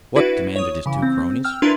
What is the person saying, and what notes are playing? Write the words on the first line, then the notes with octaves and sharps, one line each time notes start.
"What?" demanded his two cronies.
D4 E4 F#4 B4
C#5 D#6
C#3 E3
C4
G5 E6 F6
D4 E4 F4 A#4 B4 C6